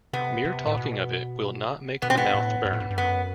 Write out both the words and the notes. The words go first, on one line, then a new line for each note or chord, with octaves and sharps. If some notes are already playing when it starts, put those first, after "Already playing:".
Mere talking of it will not make the mouth burn.
C3 B3
C3
A2
B2
B2 B3
C4
B3
A2
G2
A2
G2
G2
F#2 B3